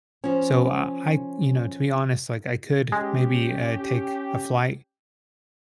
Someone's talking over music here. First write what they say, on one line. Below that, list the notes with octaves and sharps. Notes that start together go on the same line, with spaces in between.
So, I I you know, to be honest, like, I could maybe, uh, take a flight
F3 C#4
G#3 C#4 G4